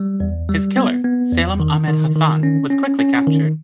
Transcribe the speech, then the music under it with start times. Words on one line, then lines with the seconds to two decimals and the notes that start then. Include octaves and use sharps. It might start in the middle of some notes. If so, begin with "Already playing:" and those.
His killer, Salem Ahmed Hassan, was quickly captured.
Already playing: G3
0.20 E2
0.49 G3
0.77 B3
1.04 B3
1.33 E2
1.60 D#3
1.88 D#3
2.16 D#3
2.43 C#4
2.70 C#4
2.99 C#4
3.27 D#3